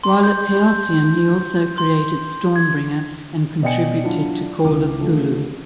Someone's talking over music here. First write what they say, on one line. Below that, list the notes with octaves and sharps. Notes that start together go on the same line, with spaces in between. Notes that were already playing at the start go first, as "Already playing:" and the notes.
While at Chaosium he also created "Stormbringer", and contributed to "Call of Cthulhu".
C6
G6
G6
C6
G#6
B2 D5 D#5 G5 G#5 C#7
F#3 D4 E4 F4
C#2 E3 D6
D3 F3 A3